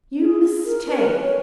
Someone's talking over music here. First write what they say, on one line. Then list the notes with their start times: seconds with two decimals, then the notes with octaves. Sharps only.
You mistake.
0.22 G#4
0.65 A#4
0.88 B4
0.97 A#4
1.06 B4
1.22 C#5